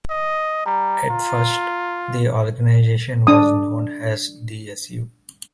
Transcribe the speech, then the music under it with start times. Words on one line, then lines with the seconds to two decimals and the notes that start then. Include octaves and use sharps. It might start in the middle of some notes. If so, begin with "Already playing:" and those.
At first, the organisation was known as the "DsU".
0.10 D#5
0.66 G3 A#5
1.11 F4
3.27 D4 D#6